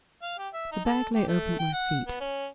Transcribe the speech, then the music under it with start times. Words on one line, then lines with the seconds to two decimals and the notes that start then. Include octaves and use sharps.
The bag lay open at my feet.
0.22 F5
0.38 G4
0.54 E5
0.72 D#4
0.85 A4
1.15 G4
1.28 A3
1.59 G5
1.73 F#5
2.07 B3
2.20 C#4